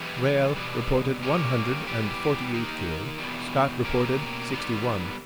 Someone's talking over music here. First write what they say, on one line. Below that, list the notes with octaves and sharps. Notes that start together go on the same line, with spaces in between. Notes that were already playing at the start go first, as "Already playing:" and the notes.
Riall reported one hundred and forty-eight killed; Scott reported sixty-one.
Already playing: E3 G#3 B3 G4
B2 G3 B3
G3 A#3 C#4 G4
E3 G3 B3 G4
D#3 A#3 D#4 G4 A#4
E2 B2 G3
B2 A#3 C#4 G4 A#4
D#3 G3 B3